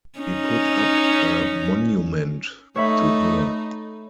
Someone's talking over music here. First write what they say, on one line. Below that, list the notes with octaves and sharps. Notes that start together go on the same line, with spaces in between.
He put up a monument to her.
C#4 D#4
A3 D#4 C#5 E5 B5